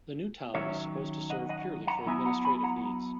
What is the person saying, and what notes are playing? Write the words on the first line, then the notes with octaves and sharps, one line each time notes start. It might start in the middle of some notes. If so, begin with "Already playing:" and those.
The new town was supposed to serve purely for administrative needs.
D#3 F#3 C#4 C#5 E5
D#5 F#5
D#5 F#5
F#5 A#5
F#3 B3 E4 E5 G#5
F#5 A#5
G#5 B5
F#5 A#5